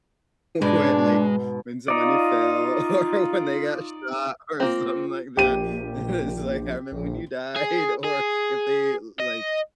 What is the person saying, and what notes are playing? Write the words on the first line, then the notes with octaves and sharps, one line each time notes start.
when, like, when somebody fell, or when they got shot or something like that, and it's like, "I remember when you died." Or if they, like,
G#2 B2 G#3 D4
D#4 F4 D5
A#3 C4 F4
A#1 G4 D#7
A#1
G#4
G#4
D#5